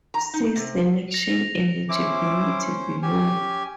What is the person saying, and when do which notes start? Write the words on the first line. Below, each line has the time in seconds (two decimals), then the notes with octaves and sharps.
See "Selection eligibility" below.
0.14 A#5
0.34 D#4
0.56 C3
1.11 A#6 F7
1.89 C#4 E4 C5 D6
3.03 C#4 G4 G#5